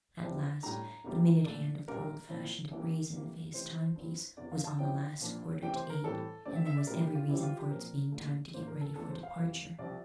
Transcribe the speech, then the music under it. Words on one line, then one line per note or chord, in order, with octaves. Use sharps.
At last the minute-hand of the old-fashioned brazen-faced timepiece was on the last quarter to eight, and there was every reason for its being time to get ready for departure.
E2 C3 F3 C4 E4
A2 G3 D4 A#5
E2 C3 G3 A#3
A#2 A3 D4 D5
C2 A#2 G3 A#3 D4 A#4
A#2 F3 C4 E4
C2 C3 E3 A#3 D4
D2 C3 E3 A#3
C3 E3 A3 C5
G2 F3 C4 E4
E2 C3 E3 D5
F5
A5
C3 F3 C4 E4 G5
A#2 F3 A#3 D4
C3 E3 A3 C4 G5
C5
A#4
A2 E3 G3 C4 E4 A4
G2 D3 A3 C4 D5
E5
E5
D5
A#2 G3 C4 E4 A#4
G4
F4
C2 C3 E3 G3 C4 E4
F4
G4
A#2 F3 C4 A#4
C2 A#2 A3
A2 E3 A#3 D4 C5
A#4
A4
E2 E3 A3 A4
C5
F5
F2 C3 E3
C2 C3 F3 C4 D5